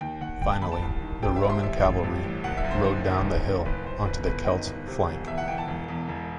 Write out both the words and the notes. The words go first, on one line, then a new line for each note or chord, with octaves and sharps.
Finally, the Roman cavalry rode down the hill onto the Celts' flank.
D#2 G5
D#2 F#5
D#2 G5
A5
D#2 B5
A5
C2
D#3
C3 G5
E5
C3
C6
A1 E5
A1
G2
A1
F#1 F#5
E5
F#2
C5
D#3 C5
F#1
D#3
F#1
F#1 B4
F#1 C5
G1 B4
G1 B4
D#3 D#5
G1
C3
E1
E2 E5
F#5
E3 G5
A5
E1
E2
E1